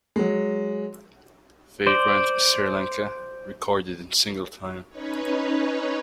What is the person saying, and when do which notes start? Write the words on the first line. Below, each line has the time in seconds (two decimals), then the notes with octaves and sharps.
Vagrant is Sri Lanka, recorded in single time.
0.16 F#3 G#3
1.87 C5 D5
4.89 C#4 D#4 B4 C#5